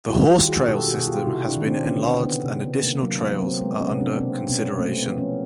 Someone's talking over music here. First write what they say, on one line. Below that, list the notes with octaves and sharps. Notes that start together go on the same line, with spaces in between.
The horse trail system has been enlarged and additional trails are under consideration.
G3 E4 F#4
F4 G4
D#3
F#4 G#4
B2 G4 A4
F#4 G#4
B2
F4 G4
C3 E4 F#4
D4 E4
D#3
C4 D4
D3 B3 C#4
B3
D3
B3
C3
B3
C3
A#3
F#3 A#3
B3
F#3
A#3 C4
G#3 B3
B3 C#4
C3
C4 D4
B2 A#3 C4
B2 B3 C#4
A3 A#3 C4
B3
F3
B3 C#4